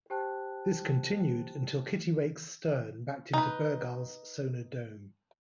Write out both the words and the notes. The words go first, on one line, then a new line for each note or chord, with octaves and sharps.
This continued until "Kittiwake"s stern backed into "Bergall"s sonar dome.
G4 C5 G5 A5 F#6
D#4 B4